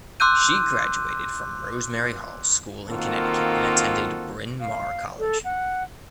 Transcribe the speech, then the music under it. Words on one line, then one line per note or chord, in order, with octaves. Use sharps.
She graduated from Rosemary Hall School in Connecticut and attended Bryn Mawr College.
C6 D6 E6 F#6 G6 D#7
D#3 A#3 C4 F4 F#4 A4
F5
A4
F#5